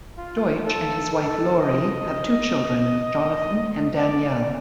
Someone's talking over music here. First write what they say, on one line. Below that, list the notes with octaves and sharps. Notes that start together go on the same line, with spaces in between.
Deutsch and his wife Lori have two children, Jonathan and Danielle.
F4
A4
A4
D#5
D5